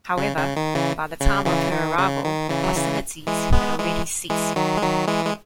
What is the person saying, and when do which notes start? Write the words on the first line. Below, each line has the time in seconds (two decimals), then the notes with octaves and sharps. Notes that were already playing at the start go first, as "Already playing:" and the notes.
However, by the time of her arrival, hostilities had already ceased.
0.17 C#3
0.37 C#3
0.56 D#3
0.75 C#3 E3
1.20 C#3
1.46 C#3 E3
1.71 D#3
1.98 C#3
2.24 D#3
2.49 C#3 E3
2.64 F#3
2.75 C#3 E3
3.27 E3 G#3
3.53 G#3 B3
3.79 E3 G#3
4.30 E3 G#3
4.56 D#3 F#3
4.77 G#3
4.82 D#3 F#3
5.07 E3 G#3
5.25 G#3